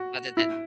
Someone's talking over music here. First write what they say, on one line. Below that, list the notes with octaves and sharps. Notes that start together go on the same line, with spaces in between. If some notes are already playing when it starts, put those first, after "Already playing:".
Rather than
Already playing: F#4
E4